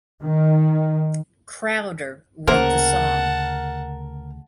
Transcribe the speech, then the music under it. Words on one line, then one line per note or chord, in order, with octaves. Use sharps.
Crowder wrote the song.
D#3
D2 C#3 A#3 A#4 C5 F#5 A5